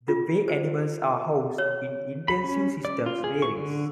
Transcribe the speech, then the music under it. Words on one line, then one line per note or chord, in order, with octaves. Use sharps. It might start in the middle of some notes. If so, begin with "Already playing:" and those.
The way animals are housed in intensive systems varies.
F4
C5
C#5
B5
C#4
D5
F4
G#4
C#6
D3